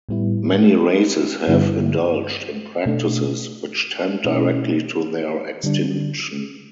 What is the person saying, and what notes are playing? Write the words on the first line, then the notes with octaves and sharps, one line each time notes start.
Many races have indulged in practices which tend directly to their extinction.
A2 G3 B3 E4
G2 D3 G3 B3 E4
B2 A3 D4
B2 A3 C#4 E4
D3 G3 D4